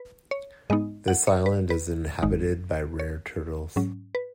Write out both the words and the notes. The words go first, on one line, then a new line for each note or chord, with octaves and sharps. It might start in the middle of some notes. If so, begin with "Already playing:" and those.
This island is inhabited by rare turtles.
Already playing: B4
C#5
G#2 G#3 B3 D#4 D#5
F#5
C#5
B4
B4
G#1 G#2 D#3 G#3 D#4
C#5
G#2 F#3 C#4
B4